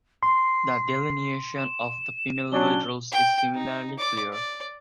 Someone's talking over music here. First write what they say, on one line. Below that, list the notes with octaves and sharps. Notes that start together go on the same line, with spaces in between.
The delineation of the female lead roles is similarly clear.
C6 C7
E7
F#3 C#4 D4 G7
G5
D#4
D5 D6
D5